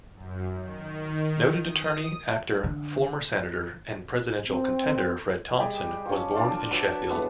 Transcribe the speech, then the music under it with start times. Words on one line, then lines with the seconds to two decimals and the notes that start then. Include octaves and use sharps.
Noted attorney, actor, former senator and presidential contender Fred Thompson was born in Sheffield.
0.14 F#2
0.55 D#3
1.58 D#6
2.64 D3
4.48 C4
5.59 G3 G4 G#4 D#5
6.05 F3 C#4
6.34 D4 F4 A4 D5
6.70 F#3 B4 E5 A5
7.11 A2 G#3 A3 B3